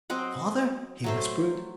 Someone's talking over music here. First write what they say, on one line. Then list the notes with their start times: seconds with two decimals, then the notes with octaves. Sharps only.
"Father!" he whispered.
0.10 F#3 C4 D#5 F#5
1.04 F#3 A3 C5